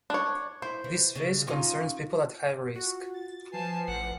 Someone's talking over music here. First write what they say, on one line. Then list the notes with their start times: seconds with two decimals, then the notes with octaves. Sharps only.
This phase concerns people at high risk.
0.10 D4 C#5
0.62 E4 C5
0.84 E3
1.15 C#3 D4
1.47 C#4 D#4 F4
2.76 F4 F#4
3.14 A6
3.52 F3 B4 G#5 A5 C7
3.88 A1 F#5